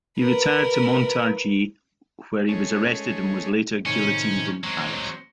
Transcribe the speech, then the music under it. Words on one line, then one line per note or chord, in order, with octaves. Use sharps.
He retired to Montargis, where he was arrested, and was later guillotined in Paris.
A#4 B4
G#3 A3 C#4
A2 C3 D#3 C#4
F#3 G#3 C4